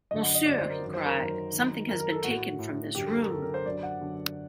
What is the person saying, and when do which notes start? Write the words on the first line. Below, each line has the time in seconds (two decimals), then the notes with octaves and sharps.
"Monsieur," he cried, "something has been taken from this room."
0.11 F#2 D3 D#5
0.23 F#5
0.35 D#5
0.46 F#2 D3 D5
0.58 C5
0.70 A#4
0.82 F#2 D#3
0.94 C5
1.05 A#4
1.17 F#2 D#3
1.53 F#2 D#3
1.88 F#2 D#3 A#4
2.00 A#4
2.12 A4
2.24 A2 F#4
2.59 A2
2.95 F#2 D3 G4
3.06 A4
3.18 A#4
3.30 F#2 D3 A4
3.42 A#4
3.54 C5
3.66 F#2 D3 D5
3.83 F#5
4.01 F#2 D3